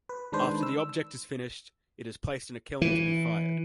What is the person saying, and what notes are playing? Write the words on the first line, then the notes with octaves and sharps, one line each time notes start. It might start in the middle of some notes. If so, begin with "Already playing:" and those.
After the object is finished, it is placed in a kiln to be fired.
B4
D#3 G#3 D4 B4 C5
E6
E3